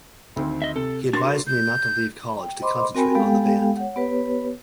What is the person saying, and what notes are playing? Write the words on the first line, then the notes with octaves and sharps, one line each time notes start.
He advised me not to leave college to concentrate on the band.
D2 D#3 C4
D#5 E5
C3 A4
D4 F#4 A#4 C6 A6
G6
G5
C5 D#5 B5 C6 D6
C4 F#4 A#4 G5 G#5 B5
G#3 B3 G4 A4 F5 G5
C#5 F#5
B3 G4 B4 C#5